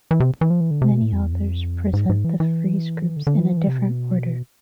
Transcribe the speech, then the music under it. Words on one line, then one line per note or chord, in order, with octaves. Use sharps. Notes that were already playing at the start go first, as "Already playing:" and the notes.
Many authors present the frieze groups in a different order.
E3
C3
E3
F3
E3
D3
C3
B2
A2
F2
E2
F2
G#2
G#2
E3
E3
D3
D3
E3
F3
E3
C3
B2